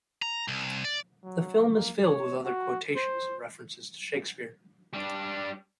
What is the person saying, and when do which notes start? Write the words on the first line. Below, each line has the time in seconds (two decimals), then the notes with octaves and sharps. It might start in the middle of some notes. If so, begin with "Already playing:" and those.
The film is filled with other quotations and references to Shakespeare.
0.22 A#5
0.48 C2
0.85 D5
1.24 F#3
1.74 A#3
2.03 C#5
2.45 F#4
2.96 C5
4.93 G3 D4